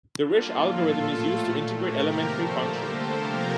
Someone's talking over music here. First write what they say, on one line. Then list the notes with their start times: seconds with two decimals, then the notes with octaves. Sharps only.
The Risch algorithm is used to integrate elementary functions.
0.21 D3 G3 A#3 D4 F4
0.50 A2 F3 A#3 F4 A4
0.81 A#2 A3
1.09 A2 A3 F4 A4
1.39 A#2 A3
1.68 A2 A3 G4 A#4
1.98 C3 D#3 A#3
2.26 A#2 F3 A3 A4 C5
2.56 D3 G3 A#3 G4 A#4
2.86 D3 A3 A4 C5
3.14 C3 F3 A#3 G4 A#4